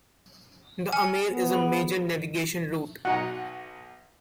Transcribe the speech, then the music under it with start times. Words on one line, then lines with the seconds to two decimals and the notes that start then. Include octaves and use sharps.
The Amer is a major navigation route.
0.92 G#5 F6 C#7
1.26 B3
1.54 G#4 B5
3.05 B1 D#4 F#4 F#5 G#5 A#5